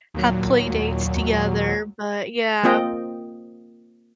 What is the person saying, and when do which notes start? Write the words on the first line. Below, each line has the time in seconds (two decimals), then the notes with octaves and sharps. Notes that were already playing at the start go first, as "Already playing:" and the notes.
have play dates together, but yeah.
0.14 D#2 A#2 F#3
2.63 A#3 C4 F4 D#5 G5